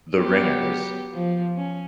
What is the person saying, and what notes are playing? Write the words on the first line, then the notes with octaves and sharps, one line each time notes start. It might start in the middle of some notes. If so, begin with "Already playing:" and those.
The ringers.
F#3 B3 G4
F3
C#4